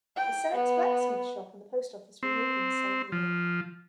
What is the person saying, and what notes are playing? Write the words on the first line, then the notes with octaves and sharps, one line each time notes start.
The Senex blacksmith shop and the post office were moved in the same year.
G5
B3
C4
F3